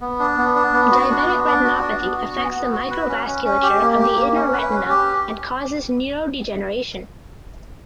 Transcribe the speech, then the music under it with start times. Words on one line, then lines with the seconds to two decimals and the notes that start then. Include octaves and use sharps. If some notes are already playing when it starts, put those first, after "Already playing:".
Diabetic retinopathy affects the microvasculature of the inner retina and causes neurodegeneration.
0.01 B3
0.20 D4
0.38 B3
0.56 D4
0.73 B3
0.91 F#4
1.10 D4
1.28 B3
1.46 D4
1.64 F#4
1.82 D4
2.00 B3
2.18 F#4
2.36 B3
2.54 B3
2.72 F#4
2.91 B4
3.09 C#4
3.27 C#4
3.44 C#4
3.63 G4
3.81 A#3
3.99 G4
4.16 A#3
4.35 C#4
4.53 B4
4.71 C#4
4.89 G4